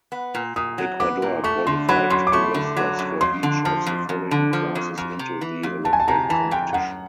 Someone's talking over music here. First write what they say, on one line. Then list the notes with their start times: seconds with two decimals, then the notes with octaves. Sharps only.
Ecuador qualified two wrestlers for each of the following classes into the Olympic competition.
0.12 B3
0.35 A#2
0.56 A#2 D#6
0.78 F#3
1.00 B3 D6
1.22 A#2
1.44 A3 C#6
1.67 D3 C6
1.89 F#3 B5
2.10 F#2 C6
2.27 D6
2.32 A3 C#6
2.54 D3
2.77 F#3
2.99 F#2
3.21 F2 C6
3.43 D3
3.65 F3 A5
3.86 F2
4.09 F2
4.31 D3
4.53 F3
4.75 F2
4.98 F2
5.19 C3
5.41 E3
5.63 F2
5.85 F2 A5
5.93 G#5
6.00 A5
6.08 C3 A#5
6.29 E3 A5
6.51 F2 G5
6.73 F#2 F#5